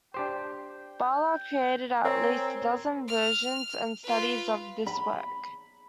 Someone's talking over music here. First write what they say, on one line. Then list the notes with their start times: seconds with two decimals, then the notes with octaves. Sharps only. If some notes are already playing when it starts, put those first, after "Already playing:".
Balla created at least a dozen versions and studies of this work.
0.14 D4 G4 C5 G5
2.05 C4 A#4 C#5 G#5 A#5
3.08 F6
4.03 F4 B4
4.87 B5